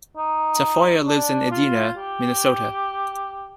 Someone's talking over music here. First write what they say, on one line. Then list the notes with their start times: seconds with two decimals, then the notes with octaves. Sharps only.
Tafoya lives in Edina, Minnesota.
0.17 D#4
1.08 D4
1.52 F4
1.97 G4